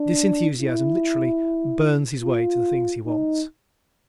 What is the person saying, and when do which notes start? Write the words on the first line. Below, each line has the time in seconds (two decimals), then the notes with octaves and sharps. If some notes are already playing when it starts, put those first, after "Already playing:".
This enthusiasm literally burns his way to the things he wants.
Already playing: D4
0.59 E4
2.24 F4
3.06 D#4